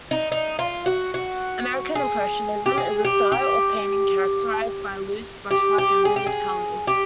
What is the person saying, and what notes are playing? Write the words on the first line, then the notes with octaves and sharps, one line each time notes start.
American Impressionism is a style of painting characterized by loose brushwork and vivid colors.
D#4
D#4
F4
F#4
F#4
G#4
G4
G#4
G4
G4
G4
G4
G#4
G4
G#4
G4